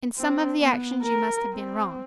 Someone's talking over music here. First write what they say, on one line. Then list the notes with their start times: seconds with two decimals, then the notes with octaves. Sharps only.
In some of the actions you must have been wrong.
0.18 C4
0.59 B3
1.03 A#4
1.53 C4